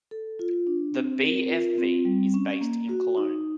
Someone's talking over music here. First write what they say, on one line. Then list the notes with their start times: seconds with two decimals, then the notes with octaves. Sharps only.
The BfV is based in Cologne.
0.11 A4
0.39 F4
0.67 D4
0.94 C4
1.22 A#4
1.49 F4
1.78 C4
2.05 G3
2.34 C#4
2.61 A#3
2.89 F#4
3.17 D#4